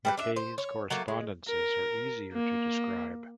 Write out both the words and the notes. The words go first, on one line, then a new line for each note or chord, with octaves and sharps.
McKay's correspondences are easier to describe.
G3 G4 B4
D4 E5
C5
C#5
F#3 A3 A#3
G#3
A#4
A#3